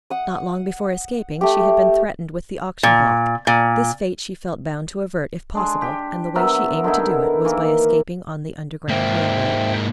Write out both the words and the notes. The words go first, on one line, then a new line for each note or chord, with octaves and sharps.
Not long before escaping, she had been threatened with the auction-block; this fate she felt bound to avert, if possible, and the way she aimed to do it was by escaping on the Underground Rail Road.
F#5 D#6
A3 G4
A#2
A#2
G#3 D4
G4
F#3 B3 A#4 E5
D3 D#3 D#4 E4
D#3 E3 A#3 A#4
G#2 A#3 C5 E5 G5